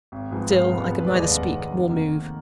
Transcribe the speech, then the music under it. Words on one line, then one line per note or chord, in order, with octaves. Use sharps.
Still I could neither speak nor move.
G#1
G#2 F3 G#3 B3
G#1 F5
G#2 F3 G#3 B3
F1
B4
D5
D#2 D#3 G#3 D#5
F5
F1 F#5
D#2 D#3 G#3
F1
F2 D#3 A#3
F1